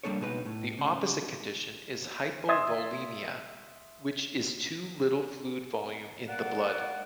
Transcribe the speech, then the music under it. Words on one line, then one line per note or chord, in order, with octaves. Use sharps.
The opposite condition is hypovolemia, which is too little fluid volume in the blood.
G3 A#3 D4 A4 C#5
C#2 B2 D#4 G#4 B4
A2
C#3
E5 C6 D#6 G#6 A6
A#3 D5 F#5